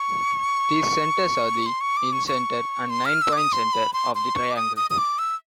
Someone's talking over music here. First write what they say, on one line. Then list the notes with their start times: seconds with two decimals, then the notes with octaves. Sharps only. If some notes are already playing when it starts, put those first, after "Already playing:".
These centers are the incenter and nine-point center of the triangle.
Already playing: C#6
1.66 C6
1.81 C#6
1.97 D6
2.13 C#6
2.28 C#6
2.90 C6
3.05 F6
3.22 E6
3.33 D6
3.37 D#6
3.53 C6
3.73 B5
3.93 C6
4.15 C6
4.35 C#6
4.51 D6
4.56 D#6
4.77 D#6
4.90 D#6
4.98 D6
5.19 E6